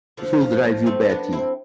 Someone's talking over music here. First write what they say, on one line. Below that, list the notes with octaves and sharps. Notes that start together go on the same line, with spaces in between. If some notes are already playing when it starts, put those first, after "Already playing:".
He'll drive you batty!
D3 F3
F3 A3
F3 A3
A3 C4
B3 D4
C4 E4